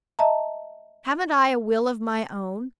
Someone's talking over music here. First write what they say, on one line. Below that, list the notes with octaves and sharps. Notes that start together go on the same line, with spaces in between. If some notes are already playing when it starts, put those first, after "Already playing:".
Haven't I a will of my own?
D#5 E5 A5 A#5